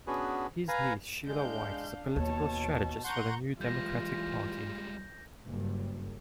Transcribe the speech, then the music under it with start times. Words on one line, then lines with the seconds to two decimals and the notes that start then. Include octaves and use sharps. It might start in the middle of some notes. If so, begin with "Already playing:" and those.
His niece Sheila White is a political strategist for the New Democratic Party.
0.07 B3 C#4 D4 F#4 G#4 B4
0.68 B4 F5 G#5 A#5
1.27 G#3 D4 F5 G6
2.16 D#2 B2 C#5 A5
3.04 F#5 A#5 C6 C#6 G6
3.61 E3 G3 G#3 F4 G6 A#6
5.44 F#1 G2